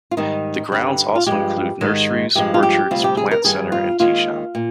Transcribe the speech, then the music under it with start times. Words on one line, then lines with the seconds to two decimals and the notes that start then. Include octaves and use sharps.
The grounds also include nurseries, orchards, plant centre and teashop.
0.11 F4
0.17 G#2 D#3 G3 D#4
0.72 G2 D3 G3
1.15 F4
1.26 G2 F3 G#3 G4
1.81 G#2 D#3 G#3
2.35 G2 F3 G#3 G4
2.54 F4
2.63 G4
2.91 D2 C3 G3 F4
3.04 G4
3.17 G#4
3.31 A#4
3.44 G2 D#3 G3 G#4
3.72 F4
3.99 D#2 D#3 G#3 F4
4.55 A#2